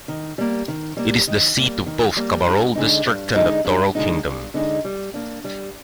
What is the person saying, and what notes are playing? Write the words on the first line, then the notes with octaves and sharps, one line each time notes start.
It is the seat of both Kabarole District and the Toro Kingdom.
D#3
G3 A#3
D#3
G3 A#3
D#3
G3 A#3
D#3
G3 A#3
G2
D3 G#3 D#4
G2
D3 G#3 D#4
G2
D3 G#3 D#4
G2
D3 G#3 D#4
G3
A#3 D4
G3